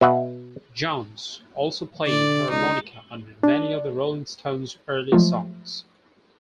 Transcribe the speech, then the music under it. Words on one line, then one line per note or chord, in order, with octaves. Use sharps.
Jones also played harmonica on many of the Rolling Stones' early songs.
B2 E5 F#5
D3 D5
C#2 D#4
D4
F3 F#3 G#3 A3 F4